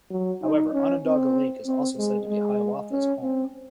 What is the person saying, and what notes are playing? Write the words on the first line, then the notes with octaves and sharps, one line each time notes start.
However, Onondaga Lake is also said to be Hiawatha's home.
F#3
D#4
C#4
C4
C4
G#3
G#3
C#4
C4